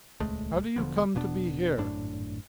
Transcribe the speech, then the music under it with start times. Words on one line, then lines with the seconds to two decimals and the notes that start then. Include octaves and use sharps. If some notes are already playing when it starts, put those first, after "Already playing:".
"How do you come to be here?"
0.20 D#1 C#2 G#3 A3
0.76 E1 D3 F3 B3
1.15 E1 B2 B3 D4
1.77 G#1 F#2 A2 D4